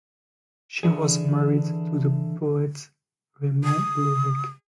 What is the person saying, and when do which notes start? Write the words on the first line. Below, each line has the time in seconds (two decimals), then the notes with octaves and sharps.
She was married to the poet Raymond Lévesque.
0.83 D3 E3 D4 G#4
3.64 D#6